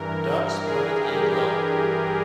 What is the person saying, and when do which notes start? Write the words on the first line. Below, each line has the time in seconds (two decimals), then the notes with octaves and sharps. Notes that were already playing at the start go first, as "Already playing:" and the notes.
Ducks Mite A club.
Already playing: G2 E3 A#4
0.67 G#4
1.01 G4
1.35 G#4